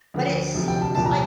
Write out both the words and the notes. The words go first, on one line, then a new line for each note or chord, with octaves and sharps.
But it seems like
D2 D3 F3
D2 C3 F3
G5
A5
C2 A#2 F3 A5
A#5